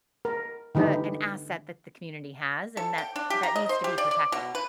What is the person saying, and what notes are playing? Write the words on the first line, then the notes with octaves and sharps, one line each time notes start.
a an asset that the community has and that that needs to be protected.
A#4
D3 E3 D#4 G4
A4
G5
D4
G4
A#5
D#5
C5
G4
D5
D5
B2
B4